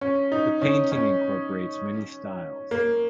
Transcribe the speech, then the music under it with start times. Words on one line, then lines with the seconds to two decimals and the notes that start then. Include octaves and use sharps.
The painting incorporates many styles.
0.01 C#4
0.32 D#4
0.61 C#4
0.92 C#4
2.71 A#3